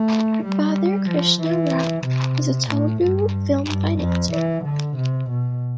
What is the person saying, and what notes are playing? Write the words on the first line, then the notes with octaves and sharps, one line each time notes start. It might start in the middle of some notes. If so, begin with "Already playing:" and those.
Her father, Krishna Rao, was a Telugu film financier.
Already playing: A3
G3
F3
E3
C3
A2
G2
G2
F2
E3
D3
C3
B2